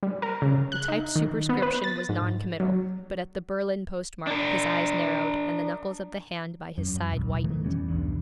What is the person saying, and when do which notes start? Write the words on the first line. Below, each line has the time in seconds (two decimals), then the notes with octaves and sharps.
The typed superscription was noncommittal, but at the Berlin postmark his eyes narrowed and the knuckles of the hand by his side whitened.
0.03 G3
0.22 A#4
0.42 C#3
0.72 F#6
0.88 D#4
1.16 D#3
1.49 B3
1.62 B4
1.84 A6
2.09 G#2
2.60 F#3
4.27 D4 A#4
6.78 F#2
7.12 E1 B1
7.44 D#3 E3 A3
7.63 F1 E2 G3 C#4
7.88 B1 E2 G2